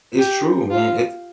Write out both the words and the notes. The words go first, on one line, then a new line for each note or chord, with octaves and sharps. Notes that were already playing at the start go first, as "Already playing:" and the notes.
It's true, man, it's
G4
F4